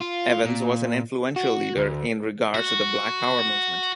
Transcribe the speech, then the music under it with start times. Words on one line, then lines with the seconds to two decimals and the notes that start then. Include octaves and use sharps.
Evans was an influential leader in regards to the black power movement.
0.01 F4
0.45 A#2
1.36 F#4
1.77 D2
2.54 F#4